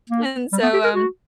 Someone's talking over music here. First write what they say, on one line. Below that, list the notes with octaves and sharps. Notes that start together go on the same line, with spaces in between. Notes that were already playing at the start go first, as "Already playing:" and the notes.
And so, um
A#3
G3
B3
G4
A#4
F#4